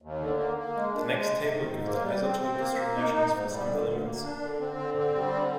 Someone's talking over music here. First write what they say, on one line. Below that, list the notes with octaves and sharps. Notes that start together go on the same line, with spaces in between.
The next table gives the isotope distributions for some elements.
D#2
D3
A#3
A#3
G#3
D4
G#3
C3
D#3
G#2
A#3
G3
C4
C4
A#3
A#3
D#4
D#4
G#2
G3
D3
D2
A#3
D4
D3
C4
D3
C4
G3
D3